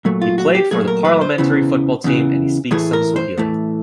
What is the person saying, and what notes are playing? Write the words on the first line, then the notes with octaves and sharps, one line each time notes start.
He played for the parliamentary football team, and he speaks some Swahili.
A#2 F#3 A3
F4
F#4
G4
A#2 F#3 A3 G#4
A#4
B4
C5
E2 C#3 E3
E2 C#3 E3
A2 E3 A3 G#4
A#4
C5
A2 E3 A3